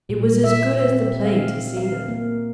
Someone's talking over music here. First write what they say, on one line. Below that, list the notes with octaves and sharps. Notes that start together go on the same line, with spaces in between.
It was as good as the play to see them.
A#2
E5
C4
F5
F5
A#3